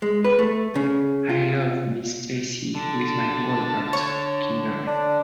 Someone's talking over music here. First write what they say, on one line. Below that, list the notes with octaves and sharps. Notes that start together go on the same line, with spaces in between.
I love Miss Stacy with my whole heart, Kimberly.
G#3
B4
A3
C#3
F4
D3 A5
C#5
D4